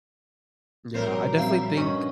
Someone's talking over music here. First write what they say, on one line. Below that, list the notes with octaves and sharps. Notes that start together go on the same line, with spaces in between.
Yeah, I definitely think
A#1 F#3 G3 C4 A#4 C5
C4 E5 F5
G2 C#4 F#4 B4 D#5